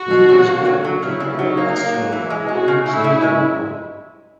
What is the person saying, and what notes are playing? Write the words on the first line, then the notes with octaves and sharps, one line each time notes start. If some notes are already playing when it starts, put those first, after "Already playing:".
He was married to fellow astronaut Bonnie J. Dunbar.
Already playing: F#4
B2
F#3
A#3
F#3
F#3
C#3 E4
C#3
F#3 D#4
A#3
A#3
F#3
E3 E4
G#3
G#3 F#4
C#3
C#3 E4
C#3
G#3